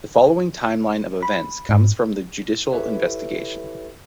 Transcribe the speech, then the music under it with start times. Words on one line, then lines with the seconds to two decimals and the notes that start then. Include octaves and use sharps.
The following time-line of events comes from the judicial investigation.
1.23 B5
1.69 G#2
2.72 E4 G4 A4 B4 C#5 E5